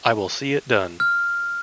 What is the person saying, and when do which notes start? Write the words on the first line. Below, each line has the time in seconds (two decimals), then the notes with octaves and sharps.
I will see it done.
1.00 F6